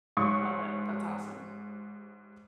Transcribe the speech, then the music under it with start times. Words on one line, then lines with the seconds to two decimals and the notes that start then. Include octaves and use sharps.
Love it. That's awesome.
0.17 A1 G#2 C6 C#6